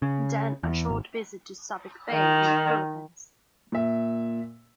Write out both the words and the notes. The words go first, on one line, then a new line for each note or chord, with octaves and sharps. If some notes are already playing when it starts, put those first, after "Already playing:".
Then a short visit to Subic Bay in the Philippines.
C#3
E2
G#1
D#3
A#2 E5